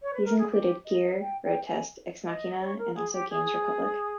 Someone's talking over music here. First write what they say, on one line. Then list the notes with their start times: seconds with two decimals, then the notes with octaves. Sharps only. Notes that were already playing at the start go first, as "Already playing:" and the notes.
These included "Gear", "Roadtest", "ExMachina" and also "Games Republic".
0.01 C#5
0.13 B4
0.25 A#4
0.38 G#4
0.51 G4
0.85 D#5
1.20 G5
1.44 G5
1.66 G#5
2.25 D#5
2.60 C#5
2.78 A#4
2.95 G#4
3.12 G4
3.30 G#4